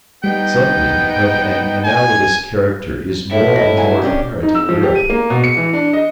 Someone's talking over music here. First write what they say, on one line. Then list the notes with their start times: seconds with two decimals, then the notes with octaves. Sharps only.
Something of an analogous character is more and more apparent in Europe.
0.24 G3 B3 D#4 G5
1.85 G#5
3.31 A2 E4
3.56 D#5
3.77 F#3 G#5
4.02 C#4 D4 G4
4.43 D#4
4.55 E6
4.69 F3
4.83 G4
4.95 D#7
5.10 A#3
5.30 B2
5.44 C#7
5.57 E3
5.73 D4
5.93 D#5